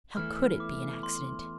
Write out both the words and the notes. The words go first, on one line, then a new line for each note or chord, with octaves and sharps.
How could it be an accident?
E2 E3 A3 E4 F6
D6
C6